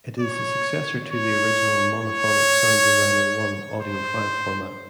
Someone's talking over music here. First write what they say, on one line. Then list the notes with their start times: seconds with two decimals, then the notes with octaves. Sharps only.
It is the successor to the original monophonic Sound Designer I audio file format.
0.21 C#5
1.11 C#5
2.01 C#5
3.82 C5